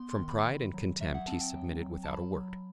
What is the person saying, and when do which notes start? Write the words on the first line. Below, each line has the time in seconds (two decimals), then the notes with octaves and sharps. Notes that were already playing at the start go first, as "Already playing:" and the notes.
From pride and contempt he submitted without a word.
Already playing: B3 C6
0.11 C6
0.19 D#3
0.29 B5
0.46 D#3
0.74 F#3
1.00 F#3 E5
1.14 F#5
1.27 C4 A5
1.41 G5
1.55 F#3
1.81 F#3
2.04 A5
2.08 F#3 B5
2.36 F#3